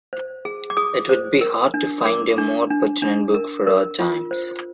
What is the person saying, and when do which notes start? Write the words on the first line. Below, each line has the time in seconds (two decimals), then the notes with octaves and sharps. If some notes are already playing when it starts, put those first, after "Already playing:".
It would be hard to find a more pertinent book for our times.
0.13 C5
0.45 G#4
0.70 D6
0.77 G#4 D#6
1.09 C5
1.41 A#4
1.74 D4
2.05 A#4 D6
2.38 D4
2.70 D4
3.02 D4
3.34 A#4
3.67 A#4
3.99 F4
4.31 C5